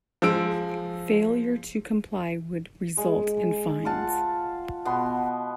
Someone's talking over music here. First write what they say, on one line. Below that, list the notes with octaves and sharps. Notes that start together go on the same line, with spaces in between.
Failure to comply would result in fines.
F3 G#3 E6 D7
G#3
F4 F5 F#5 A5
B2 B3 C6